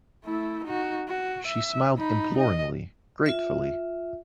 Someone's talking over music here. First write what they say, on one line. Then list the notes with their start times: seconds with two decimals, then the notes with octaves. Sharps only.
She smiled imploringly, gratefully.
0.25 A3 E4
0.64 D#4 F#4
1.08 F#4
1.47 E5
1.98 D#4 B5
2.38 D#5
3.26 F4 E5